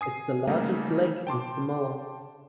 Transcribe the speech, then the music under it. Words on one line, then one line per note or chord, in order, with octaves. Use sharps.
It is the largest lake in Samoa.
G#5 D#6 C7
C#3 G3 A3 A#3 D#4
G5 A5 C6 D6